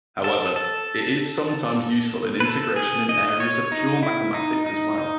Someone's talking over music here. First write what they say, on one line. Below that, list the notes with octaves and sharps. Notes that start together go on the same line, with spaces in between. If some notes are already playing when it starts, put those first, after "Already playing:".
However, it is sometimes useful in integration in areas of pure mathematics as well.
A4
A4
B4
A4
G#4
D#5
C#5
D#4
E4
D#4
D#4
D#4